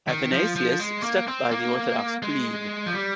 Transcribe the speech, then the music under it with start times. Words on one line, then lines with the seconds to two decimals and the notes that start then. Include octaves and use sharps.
Athanasius stuck by the orthodox creed.
0.09 D#3
0.33 F3
0.56 F3
0.80 G#3
1.03 A#3
1.28 C4
1.51 A#3
2.22 G#3
2.86 F3
2.93 G3